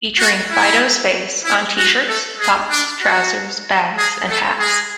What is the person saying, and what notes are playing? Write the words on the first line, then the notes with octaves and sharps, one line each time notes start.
Featuring Fido's face on t-shirts, tops, trousers, bags and hats.
F#4
E4
E4
F#4
A3 A4
G#3 G#4
D4
F#4
G#3 G#4
A3 A4
G#3 G#4